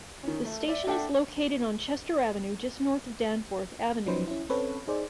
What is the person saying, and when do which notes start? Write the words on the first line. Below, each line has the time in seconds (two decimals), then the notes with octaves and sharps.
The station is located on Chester Avenue just north of Danforth Avenue.
0.23 D#3 C#4
0.45 A3
0.68 D5 E5
0.87 D4 A4 D5 E5 F#5 G5
4.07 F3 F#3 C#4 D#4 B4 C5
4.28 C#4 E4
4.50 C4 C#4 A4 B4 C#5
4.87 D#4 G#4 C5 D5